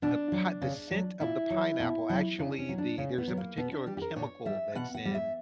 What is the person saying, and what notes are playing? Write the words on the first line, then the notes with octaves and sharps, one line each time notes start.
The pi the scent of the pineapple actually the there's a particular chemical that's in,
B2 D4
F#3
C#3
F#3
A#2 E4
F#3
B2
F#3
C#3 D4
C#4
F#3
D4
C#3 C#4
B3
F#3
A#3
B2 B3
D4
G3 G4
G4
A#4
A#2 C#5
G3 E5
B2 F#5
F#5
G3
E5